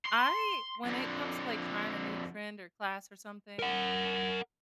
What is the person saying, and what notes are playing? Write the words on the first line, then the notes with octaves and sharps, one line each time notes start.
I when it comes to, like, trying a new trend or class or something
C6
F2 D3
A#4 F#5